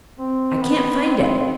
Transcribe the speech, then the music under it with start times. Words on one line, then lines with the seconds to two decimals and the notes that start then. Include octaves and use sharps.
I can't find it.
0.18 C4
0.62 B3
1.05 C4